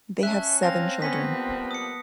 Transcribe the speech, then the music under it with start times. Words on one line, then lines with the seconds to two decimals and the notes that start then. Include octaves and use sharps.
They have seven children.
0.23 C#4 E5 A5 F#6
0.63 C4 F5 A#6
1.02 B3 C#4 B6
1.31 F3 G3 A#3
1.71 D#6 C#7